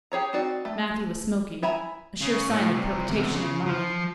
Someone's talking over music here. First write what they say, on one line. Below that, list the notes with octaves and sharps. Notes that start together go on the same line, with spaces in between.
Matthew was smoking--a sure sign of perturbation of mind.
G4 G#4 C#5 A#5
C4 D#4 F#4 D5
A3
E4 E5 G#5 A#5 B5
C#3
A2
C2
E2 C3
C#3
F3